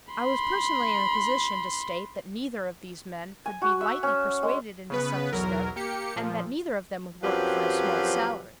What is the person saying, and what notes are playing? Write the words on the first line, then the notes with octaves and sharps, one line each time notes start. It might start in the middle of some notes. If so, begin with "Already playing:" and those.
I was personally in a position to state that neither of these men could be lightly persuaded into such a step, and that neither of them would work for a small salary.
B5 C6
G#5
F#4
E5
C#4
G#3
C#3 B3 B4
B1 E2 F#3 A#4
A#3 G4 C#7
A#2 F3
F#2 F3 F#3 C4 G4 B4